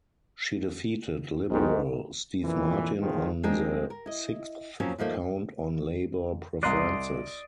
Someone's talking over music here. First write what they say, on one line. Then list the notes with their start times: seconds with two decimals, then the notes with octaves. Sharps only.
She defeated Liberal Steve Martin on the sixth count on Labor preferences.
1.50 B1 G#2 D#3
2.43 F2 A#2 E3
3.00 E2 G#2 D#3 F3 G#3
3.43 F3 G#3 C4 D4 A#4 F5
3.90 A#4
4.06 E4 D#5
4.80 F3 F#3 A#3 C4 C#4
4.98 D#2 F3 A3 A#3
6.63 C2 D5 D#5 A#5 C6 F#6